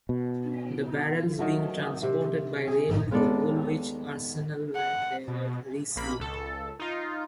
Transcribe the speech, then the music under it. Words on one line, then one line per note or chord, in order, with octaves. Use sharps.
The barrels being transported by rail to Woolwich Arsenal where they were re-sleeved.
B2
D#3 F#3 A3
C3
G#4
D#2 G#3 B3 A4 D5
F#5
B2
A#1 A#3 B5
C#2 A4
D#4 F4